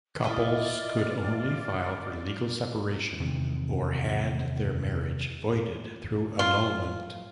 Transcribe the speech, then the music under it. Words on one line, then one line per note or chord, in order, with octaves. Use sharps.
Couples could only file for legal separation or had their marriage voided through annulment.
E4 F4 B4 D5 D#5 D6
E2 C3 D#3 G#3
F4